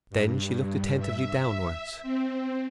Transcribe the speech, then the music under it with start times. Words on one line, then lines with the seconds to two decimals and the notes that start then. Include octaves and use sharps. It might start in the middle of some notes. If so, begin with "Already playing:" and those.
Then she looked attentively downwards.
0.10 G2
0.99 E5
2.02 C4